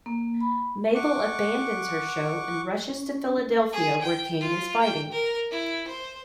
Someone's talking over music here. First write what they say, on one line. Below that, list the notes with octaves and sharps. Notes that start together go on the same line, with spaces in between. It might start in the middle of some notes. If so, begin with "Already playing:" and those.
Mabel abandons her show and rushes to Philadelphia where Cain is fighting.
A#3
B5
F#5 C#6 D6
C#4
G#4
G5
F4
G5
A#4
E4
C5